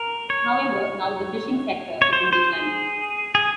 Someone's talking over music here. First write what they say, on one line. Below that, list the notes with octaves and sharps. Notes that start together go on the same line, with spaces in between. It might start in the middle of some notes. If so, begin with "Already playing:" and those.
However, now the fishing sector is in decline.
Already playing: A#4
C#5
C#5
C5
C5
G#4
G#4